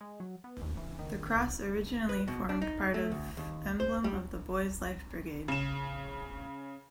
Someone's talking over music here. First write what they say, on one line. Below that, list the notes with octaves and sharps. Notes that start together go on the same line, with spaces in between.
The cross originally formed part of emblem of the Boys' Life Brigade.
G#3
F#3
B3
D#2
E3
D#3
C2
B4
B2
D4
D#4
A3
D2
D#2
C5
G3
C#3 E7